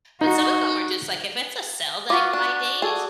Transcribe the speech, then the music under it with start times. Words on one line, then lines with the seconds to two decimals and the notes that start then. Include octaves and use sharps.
But some of em are just, like if it's a sell dy by date,
0.21 D#4 F#4
2.10 F4 F#4 C#6 D6
2.33 D4
2.82 F#4 G#4 A4 D5